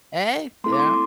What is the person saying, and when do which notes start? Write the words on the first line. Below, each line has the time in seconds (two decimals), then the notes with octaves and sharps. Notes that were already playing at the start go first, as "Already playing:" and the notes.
Hey, yeah.
0.64 A3 C4 E4 A4 C6
0.72 D6
0.79 C6